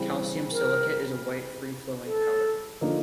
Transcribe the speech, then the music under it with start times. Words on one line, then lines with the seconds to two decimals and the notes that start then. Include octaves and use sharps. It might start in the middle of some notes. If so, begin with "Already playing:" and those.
Calcium silicate is a white free-flowing powder.
Already playing: C#3 E3 G3 C4
0.51 A#4
2.05 A4
2.81 D3 F3 A#3 D#4